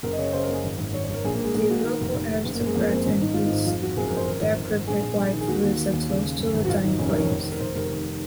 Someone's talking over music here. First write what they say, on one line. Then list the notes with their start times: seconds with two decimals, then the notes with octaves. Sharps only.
The local aristocrat and his decrepit wife raise a toast to the dying flames.
0.03 F#1 A#4
0.13 D#5
0.18 C#3 C#5
0.33 C#3 C5
0.43 A#4
0.49 F#1 G#4
0.64 G#1
0.79 G#1
0.94 G#1 C#5
1.04 C#5
1.10 G#1 A#4
1.24 A#1 G#4
1.34 A#3
1.40 A#1 G#3
1.54 A#1 A#3
1.70 A#2 F#4
1.84 D#3 A#4
2.01 F1
2.15 F1
2.30 D#3
2.45 F#1
2.55 A#3
2.60 F#1
2.66 G#3
2.76 F2 A#3
2.91 F2 C4
3.06 G#1 C#4
3.21 G#1 D#4
3.34 G#1 F4
3.46 D#4
3.51 G#2
3.66 F2 F4
3.82 F2 F#4
3.97 F#1 G#4
4.07 A#4
4.12 F2
4.17 C5
4.27 G#1 A#4
4.42 G#1
4.57 G#1
4.72 G#1
4.87 A#1 G#4
5.03 A#1
5.18 A#1
5.33 D#3
5.41 G#4
5.48 D#2 F#4
5.64 D#2
5.78 D#3
5.93 D#2
6.09 C#3
6.23 C#3
6.39 F#2
6.54 G#1
6.65 F#4
6.69 F1 F4
6.84 D#3 D#4
6.99 F1 C#4
7.09 A#4
7.15 D#3 C#5
7.30 F1
7.45 D#3
7.52 A#4
7.60 F1 C5
7.75 F1 A#4
7.90 D#3